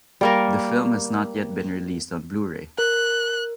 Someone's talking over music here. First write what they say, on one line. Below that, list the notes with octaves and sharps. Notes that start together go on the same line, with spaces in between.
The film has not yet been released on Blu-ray.
G3 A#3 A#4
A#4 F#6